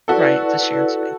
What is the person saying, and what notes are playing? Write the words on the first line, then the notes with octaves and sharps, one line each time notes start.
Right. It's a shared spa
E4 F#4 A4 B4 D5
E4 B4 D5